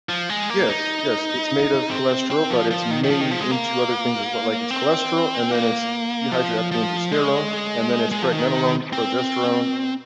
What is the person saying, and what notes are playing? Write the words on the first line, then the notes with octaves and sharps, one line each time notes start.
Yes yes, it's made of cholesterol, but it's made into other things as well, like it's cholesterol and then it's dehydroepiandrosterone and then it's pregnenolone, progesterone,
F3
G#3
A#3
D#4
C4
C4
F3
F3
D#3
D#3
F3
D#3
F3
G#3
A#3
C4
A#3
F3
F3
G#3
G#3
F3
D#3
C4